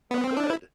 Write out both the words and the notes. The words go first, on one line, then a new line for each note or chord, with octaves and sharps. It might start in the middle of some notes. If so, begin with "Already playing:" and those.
Oh, good.
B3
C4
D4
E4